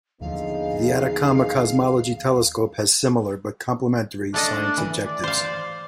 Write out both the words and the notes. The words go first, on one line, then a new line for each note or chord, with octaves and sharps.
The Atacama Cosmology Telescope has similar, but complementary, science objectives.
D#2 D3 F3 B3 D#4 G#4 F5
A3 D4 A4 D#5
E3
D5
C5 F5